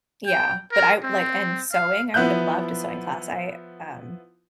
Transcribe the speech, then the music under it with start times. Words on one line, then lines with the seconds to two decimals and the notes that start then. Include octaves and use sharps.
Yeah, but I like, and sewing, I would have loved a sewing class. I, um,
0.26 G5
0.72 A#4
1.03 C4
1.72 F5
2.14 F3 B3 E4 F#6 G6